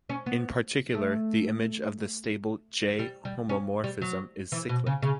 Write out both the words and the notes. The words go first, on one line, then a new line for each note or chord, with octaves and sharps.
In particular the image of the stable "J"-homomorphism is cyclic.
C#4
B3
A3
G3
G3
C#4
G3
F#3
E3
B2
C#3
C#3